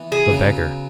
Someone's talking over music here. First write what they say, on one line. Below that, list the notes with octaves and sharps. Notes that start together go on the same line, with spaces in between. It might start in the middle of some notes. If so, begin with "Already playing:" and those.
The Beggar.
Already playing: E3 B3
G#4
C#3 F#3 B3